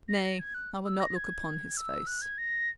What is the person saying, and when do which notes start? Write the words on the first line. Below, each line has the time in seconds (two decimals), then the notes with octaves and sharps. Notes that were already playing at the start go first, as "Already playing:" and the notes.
Nay, I will not look upon his face.
0.09 A#6
0.24 A#6
0.39 G#6
0.54 F#6
0.85 E6
1.00 A#6
1.16 G#6
1.77 E6
2.07 F#6
2.22 G#6
2.38 A#6